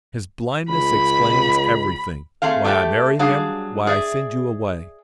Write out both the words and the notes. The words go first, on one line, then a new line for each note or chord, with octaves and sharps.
His blindness explains everything--why I marry him, why I send you away.
C#2 B5
A3 C4 G#4 F5
A3 G4 A4 F#5 G5
F#3 G3 D4 G#4 F5
G#4 D5 E5